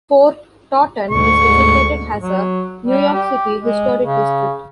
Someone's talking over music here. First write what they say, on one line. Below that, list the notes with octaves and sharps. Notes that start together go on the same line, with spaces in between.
Fort Totten is designated as a New York City Historic District.
D2 G#2 C#6
F#3
G3
G4
G#3
C#3